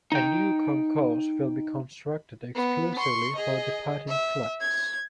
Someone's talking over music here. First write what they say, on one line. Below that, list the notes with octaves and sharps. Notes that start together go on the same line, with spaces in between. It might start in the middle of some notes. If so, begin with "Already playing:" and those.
A new concourse will be constructed exclusively for departing flights.
D#4 G5
B3
C6 C#6
G#4 D#5
E5
G#6